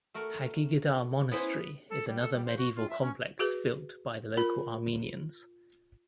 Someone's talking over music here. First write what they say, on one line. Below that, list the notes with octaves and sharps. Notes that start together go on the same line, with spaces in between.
Hagigadar Monastery is another medieval complex built by the local Armenians.
A3 F#4 A#4
B3 C#4 E4 B4 C5
A4
G3
A4
G3
C5
F#4
F4
E5
C#4
F#4 G#4 B4
F4 A#4